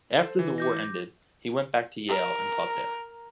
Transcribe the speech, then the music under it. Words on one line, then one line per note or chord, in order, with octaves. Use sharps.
After the war ended, he went back to Yale and taught there.
A4 C5
E3
D6 G6 A#6
A#4